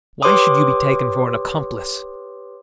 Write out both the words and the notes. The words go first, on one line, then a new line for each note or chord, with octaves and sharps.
"Why should you be taken for an accomplice?"
G4 B4 C#5 C6 D6 D#6